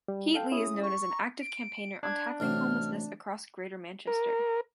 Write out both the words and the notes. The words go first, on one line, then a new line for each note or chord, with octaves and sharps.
Heatley is known as an active campaigner on tackling homelessness across Greater Manchester.
G3
A4 F5 G5 A5
C#4 E4 G#4 D#6
C#6
A#5
D7
D4 G#6
A1 C3 F#3 F6
A#4